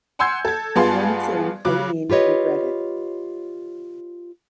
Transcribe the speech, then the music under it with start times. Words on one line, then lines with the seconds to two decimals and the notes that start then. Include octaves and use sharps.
One thing Helene regretted.
0.19 F#5 G#5 C6 E6 G6 G#6
0.45 A4 G#6
0.76 G2 B3 F4 G#4 A5 C6
1.65 C#3 F#3 D6 F#6
2.10 F4 G4 B4 C#5 D#5